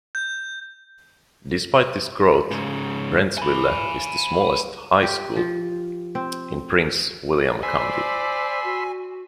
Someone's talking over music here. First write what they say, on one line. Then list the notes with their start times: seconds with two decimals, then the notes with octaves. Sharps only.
Despite this growth, Brentsville is the smallest high school in Prince William County.
0.15 G6
2.51 G#2 C#3
3.38 G#5 B5
5.03 G4
5.36 F3
6.15 C4
7.63 C5 D5 G#5 B5 C6 E6
8.64 F#4